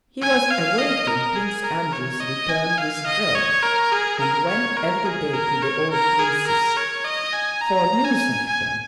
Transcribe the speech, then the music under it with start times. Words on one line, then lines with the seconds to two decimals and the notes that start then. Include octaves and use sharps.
He was awaiting Prince Andrew's return with dread and went every day to the old prince's for news of him.
0.21 G#5
0.50 F5
0.79 D#5
1.07 A#4
1.36 G#4
1.64 A#4
1.93 C#5
2.20 D#5
2.49 G#5
2.78 F5
3.06 D#5
3.35 C#5
3.63 A#4
3.92 G#4
4.19 A#4
4.49 C#5
4.77 A#4
5.05 G#4
5.34 A#4
5.62 C#5
5.91 A#4
6.19 G#4
6.47 A#4
6.77 C#5
7.05 D#5
7.33 G#5
7.61 A#5
8.04 G#5
8.47 G#5